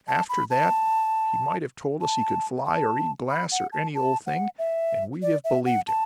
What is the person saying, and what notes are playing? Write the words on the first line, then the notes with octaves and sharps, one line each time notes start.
After that he might have told us he could fly or eat glass or any old thing, and we'd have believed him.
A5
B5
A5
A5
A5
B5
F#5
A5
A5
F#5
E5
D5
E5
F#5
A5